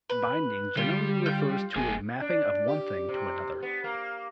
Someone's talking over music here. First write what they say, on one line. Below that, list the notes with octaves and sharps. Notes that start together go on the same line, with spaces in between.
Binding generally refers to a mapping of one thing to another.
B4
D3 G3 F4
F4 G6
F#1 A#3 G#4
D4
G4
C3
B3
A#3